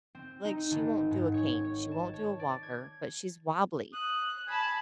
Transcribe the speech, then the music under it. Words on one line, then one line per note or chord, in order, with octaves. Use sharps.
like, she won't do a cane. She won't do a walker, but she's wobbly.
C4
D#4
G#1
G#2
C#5
C#5
A5
C#5
D5
G#6
D#6 F#6
G#5 A5 B5